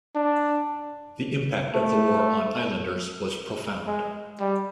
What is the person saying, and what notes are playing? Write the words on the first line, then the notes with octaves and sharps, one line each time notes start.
The impact of the war on islanders was profound.
D4
A3
G#3
G3